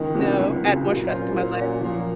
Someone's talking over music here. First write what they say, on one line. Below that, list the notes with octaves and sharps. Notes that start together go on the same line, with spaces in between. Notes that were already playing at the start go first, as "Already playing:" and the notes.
No, add more stress to my life.
Already playing: C#2 D#3
C3 F#3 C#4 F#4
C#2
C#3 F#3 C4
A#2 F#3
C#4 F4 C5
A#2 F#3
C#4 F#4 C#5
A#2 F3